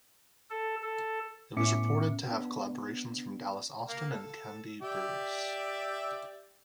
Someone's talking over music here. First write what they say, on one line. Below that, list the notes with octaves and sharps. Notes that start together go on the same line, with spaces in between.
It was reported to have collaborations from Dallas Austin and Kandi Burruss.
A4
A4
A2 B3 C#4 E5 D6 C#7
B3 D4
A#3 F5
A4
G4 D5 E5